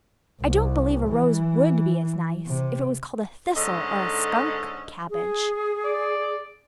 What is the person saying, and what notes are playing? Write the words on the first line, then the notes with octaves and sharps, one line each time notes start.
I don't believe a rose WOULD be as nice if it was called a thistle or a skunk cabbage.
C2
E3
C3
G#2 D3 C#4 A4 D#5
G#4
D5